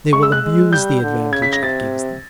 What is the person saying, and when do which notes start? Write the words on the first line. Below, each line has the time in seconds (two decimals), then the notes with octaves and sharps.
They will abuse the advantage it gives them.
0.12 G#3 C#6
0.23 E6
0.32 F#6
0.43 G#3
0.72 G3 G6
1.02 D3
1.33 C#3 G#6
1.42 B6
1.53 A#6
1.63 C3 A6